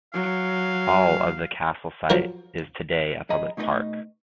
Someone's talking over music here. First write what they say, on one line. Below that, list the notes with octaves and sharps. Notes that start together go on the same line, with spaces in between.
All of the castle site is today a public park.
F#3 F5
F3 F#3 A#4
F3 G#4 D#5 A#5 B5
B2 A3 D#4 E4 B4 D#5